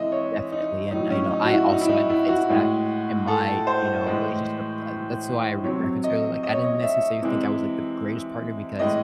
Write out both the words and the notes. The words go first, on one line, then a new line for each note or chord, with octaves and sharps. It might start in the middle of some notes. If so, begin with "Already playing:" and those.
definitely, and, you know, I also had to face that in my, you know, relationship, uh, that's why I re reference her. Like, I didn't necessarily think I was, like, the greatest partner because,
Already playing: C3 E3 G#3 D#5 E5
C#5
D#4
A2 F#3 D#4
C#4
D#4
F#4
E4
D#4
E4
D#4
E4
F#4
A2 G#3
A4
C5
A2 E3 G#3
C3 F#3 C#5
D#5
D#5
C#5
D#5
E5
C3 E3 G#3
A2 E3 G#3 D#5